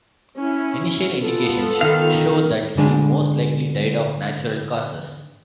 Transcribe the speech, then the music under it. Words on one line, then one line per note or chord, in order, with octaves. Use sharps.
Initial indications show that he most likely died of natural causes.
C#4 E4
B3 F4 A4
D#3 F5
G#2 D3 G#3